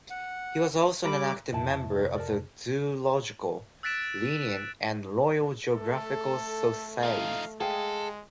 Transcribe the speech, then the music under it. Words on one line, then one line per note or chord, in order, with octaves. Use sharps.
He was also an active member of the Zoological, Linnean and Royal Geographical Societies.
F#5
G3 A#5 B5 D6
F2 C3 E4 A5
A4 A#4 D5
E6 F#6 A6 B6 D7 E7
A3 A4
F3 D#4 F5
G#3 G#4 A4 F5 G5